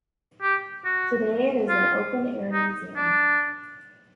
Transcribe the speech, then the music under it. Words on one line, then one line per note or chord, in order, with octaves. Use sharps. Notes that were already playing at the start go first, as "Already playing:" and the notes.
Today it is an open-air museum.
G4
F#4
F4
D#4
D4